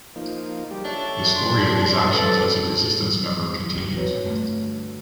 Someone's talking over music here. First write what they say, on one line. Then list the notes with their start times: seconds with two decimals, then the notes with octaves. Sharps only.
The story of his actions as a resistance member continues.
0.16 F3 A#3 D#4
0.71 G3 G4
0.85 D4 A4 C#5 E5
1.35 F#2 C6
2.11 C4 A4 B4 D5
3.76 F#2
3.94 F2 A#2 C4 F#4 B4 C#5
4.24 G2 D3 G3 A3